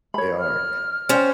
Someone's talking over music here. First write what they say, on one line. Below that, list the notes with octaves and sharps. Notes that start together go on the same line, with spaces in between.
They are,
C#5 B5
F6
C#4 C5 D5 G5